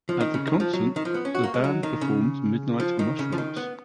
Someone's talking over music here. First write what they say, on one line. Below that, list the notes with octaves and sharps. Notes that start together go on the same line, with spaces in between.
At the concert, the band performed "Midnight Mushrumps".
F3
D#3
C#3
D#3
F3
F#3
D#3
F3
B3
C#4
F#4
A#3
G#3
F#3
D#3
C#3
F3
D#3
C#3
F3
D#3
B3